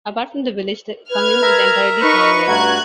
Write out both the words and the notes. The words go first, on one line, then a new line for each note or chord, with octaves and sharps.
Apart from the village the commune is entirely farmland.
B4 F6 G#6
A#4 E5 A#5
D#4 B4 D#5 C#6
G2 A3 F#4 A#5 F#6 G#6